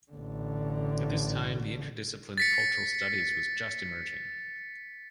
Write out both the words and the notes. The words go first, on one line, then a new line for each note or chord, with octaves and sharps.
At this time, the interdiscipline of cultural studies was just emerging.
A1 D3
A6 B6 C#7